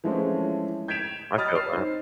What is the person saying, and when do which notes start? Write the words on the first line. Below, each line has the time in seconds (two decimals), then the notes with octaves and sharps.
I feel that.
0.04 E3 F3 G#3 A3 C4 C#4
0.88 G6 G#6 B6 D7 E7 F7
1.37 C#5 D#5 B5 D#6 F6 A6
1.56 E6 C7
1.75 D#4 C5